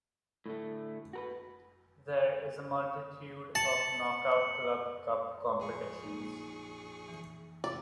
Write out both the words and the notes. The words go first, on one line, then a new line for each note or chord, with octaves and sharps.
There is a multitude of knockout club cup competitions.
A2 D3 A3
F#4 A#4 B4
A5 C#7 F#7
A#1 G#4 C#6
A#3 D#4
E3
C3 D5